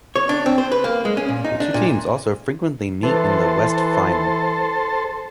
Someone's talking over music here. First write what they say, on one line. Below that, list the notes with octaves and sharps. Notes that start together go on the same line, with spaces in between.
The two teams also frequently meet in the West Final.
C#5
D4
C4
C5
B4
A#3
G#3
C#4
A#2
D#4
D4
A#2
E3 A4 C5